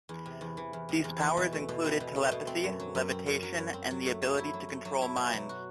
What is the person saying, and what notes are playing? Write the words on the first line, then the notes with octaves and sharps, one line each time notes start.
These powers included telepathy, levitation, and the ability to control minds.
E2
C3
E2
E3
E2
C3
E2
E3
B2
A3
B2
C4
B2
A3
B2
C4
F#2
F#3
F#2
C4
F#2
F#3
F#2
C4
F#3
A3
F#3
E4
F#3
A3
F#3
E4
B2
F#3
F#4